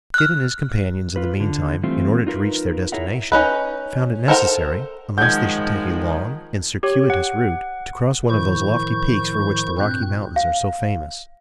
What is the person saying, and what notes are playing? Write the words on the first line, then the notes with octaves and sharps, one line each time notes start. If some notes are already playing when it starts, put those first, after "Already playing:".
Kit and his companions in the mean time, in order to reach their destination, found it necessary, unless they should take a long and circuitous route, to cross one of those lofty peaks for which the Rocky Mountains are so famous.
F6 F#6
F4 B4
D3
E3 G3 A3 C4 F4
D#4 F4 A#4 B4
E4 G#4 A#4 C#5 E5 F#5
C#4 D#4 B4
A4 A#4 C5 F#5 A#5
D#3 F3 G#3 F#5 G6 G#6
G4 C#5
F#5
A2 D#3 F3 E4 C#6 G6
G2 A#2 C4 F#6 G6
F5